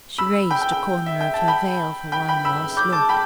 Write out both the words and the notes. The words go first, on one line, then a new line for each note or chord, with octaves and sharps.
She raised a corner of her veil for one last look.
B5 E6
G5 B5
G5
G5
E5
G5
A5
G5 B5
G5 B5
G5 B5
B5 E6
D6 G6
A5 D6
G5 B5